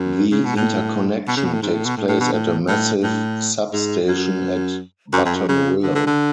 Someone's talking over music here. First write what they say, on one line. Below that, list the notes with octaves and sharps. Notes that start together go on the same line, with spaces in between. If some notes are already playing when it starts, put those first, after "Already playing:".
The interconnection takes place at a massive substation at Buttonwillow.
Already playing: F#2
C#3
B2
A2
B2
C#3
B2
A2
G#2
A2
B2
A2
A2
B2
A2
A2
A2
G#2
F#2
F#2
F2
F#2
C#3
D3
D3
D3